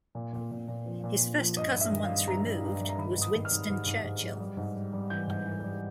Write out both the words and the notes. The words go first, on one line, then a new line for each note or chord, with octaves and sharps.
His first cousin once removed was Winston Churchill.
A#2
A#2
A#2
A#2
F3
A#2
A#2
F3
G2 D#5
G2
E5
D#3
F5
G3
G2 A#5
G3
G2
G3
A#5
D#3 B5
G#2
D#6
D#3
F6
G#2
G#2
G#2
G#2
F#3
G3
G#2
G3
G3
E3 G6
G#2
E3
G3